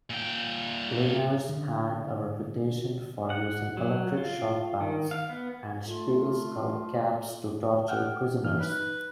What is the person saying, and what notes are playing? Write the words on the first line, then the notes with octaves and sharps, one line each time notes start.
Linares had a reputation for using electric-shock baths and steel skull-caps to torture prisoners.
A#2 G5
D3
F#5
F#3
F4
D#3
F5
B3
A3 F4
F#5 G5 F6
E3 A#3 F6
D#4 B4